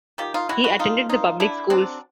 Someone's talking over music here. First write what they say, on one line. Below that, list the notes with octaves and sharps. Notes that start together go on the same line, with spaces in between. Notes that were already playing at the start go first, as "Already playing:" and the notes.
He attended the public schools.
D#3 F4 G4
D#4 F4
G#3 E4 F#4
E4 F#4
D3 D#4 F4
A#3 D#4 F4
D3 D4 E4
F#3 C4 D4